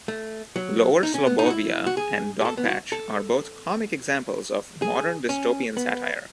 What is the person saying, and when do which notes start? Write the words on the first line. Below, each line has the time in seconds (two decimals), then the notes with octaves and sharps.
Lower Slobbovia and Dogpatch are both comic examples of modern dystopian satire.
0.08 A3
0.56 F#3
1.03 D#4
1.14 C#4
1.27 B3
1.39 D#4
1.46 F#4
1.50 E4
1.87 F#4
1.97 G#4
2.41 G#4
2.45 A4
2.57 B3
2.64 E4
2.69 F#4
2.92 A4
4.82 G#4
5.29 C#4
5.77 B3